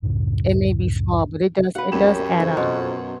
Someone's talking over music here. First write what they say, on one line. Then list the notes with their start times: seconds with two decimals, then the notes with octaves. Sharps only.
It may be small, but it does it does add up.
0.02 C#2 F#2 A2 C#3
1.75 F#4 B4 F5 F#5
1.92 C2 F#2 G4 A#4 E7
2.04 A#4 C#5
2.39 F2 C#3 E3
2.57 B2 C6